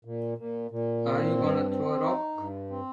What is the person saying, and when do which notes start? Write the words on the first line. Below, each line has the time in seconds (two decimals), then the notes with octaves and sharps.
Are you gonna throw a rock?
0.05 A#2
0.38 A#2
0.71 A#2
1.05 C4
1.38 G2
1.70 C4
2.04 D#4
2.37 G2
2.70 C4